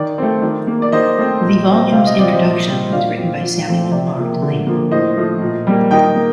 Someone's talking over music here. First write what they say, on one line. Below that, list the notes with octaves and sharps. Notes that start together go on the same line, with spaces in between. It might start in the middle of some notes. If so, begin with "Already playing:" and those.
The volume's introduction was written by Samuel R. Delany.
Already playing: D#3 D5
A3 C4
D#3
A#3
D5
D#3 C5 D#5
A3 C4
A#2
G3 C4
C3 F5
D#5
F3 C4 D5
C5 D#5
A#2
G3 C4
A#2 D5 F5
F3 C4
A#2
A3 C4
C3 D5
F3 A#3
D3
F3 A#3
A2 C5 D#5
F3 A3
A#2
G3 A#3
D#3 D#5 G5
A#3